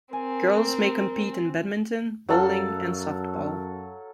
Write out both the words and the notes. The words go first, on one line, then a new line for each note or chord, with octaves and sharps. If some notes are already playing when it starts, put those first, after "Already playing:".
Girls may compete in badminton, bowling, and softball.
C4 A#4 G#5
F#2 F#3 A4 F5